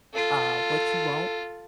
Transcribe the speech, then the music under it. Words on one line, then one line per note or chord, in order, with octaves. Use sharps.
uh, what you want,
F4 A4